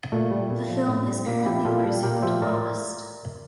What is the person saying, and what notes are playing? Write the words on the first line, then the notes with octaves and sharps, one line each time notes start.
The film is currently presumed lost.
A#2 A3
G3
A#2
F3
A2
G3
A#2 A#3
F3 E4 G4
A#2 F4 A4
G3
A#2 G4 A#4
F3 C5 E5
A2 A#4 D5